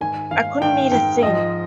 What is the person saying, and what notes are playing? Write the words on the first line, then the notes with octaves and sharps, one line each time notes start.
I couldn't eat a thing.
G#2 D#3 G#5
G#2 D#3 F5
G#2 D#3 G5
G#2 D#3 G5
G#2 F3 D#5